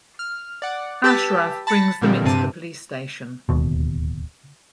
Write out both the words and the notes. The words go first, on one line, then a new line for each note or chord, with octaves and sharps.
Ashraf brings them into the police station.
F6
D5 F#5
G4 B4 A5 E6 A6 B6
A5 B5 A6 A#6 C#7
A#2 D3 F3 G3 G#3 C4
G2 C3 C4 A5 D#7
D1 D#2 B2